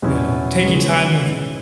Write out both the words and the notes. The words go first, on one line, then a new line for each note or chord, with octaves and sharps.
yeah, take your time with him.
E2 B2 F#3 C#4 E4
C#3 G#3 B3 F#4 C#5
G#2 E3 G#3 C#4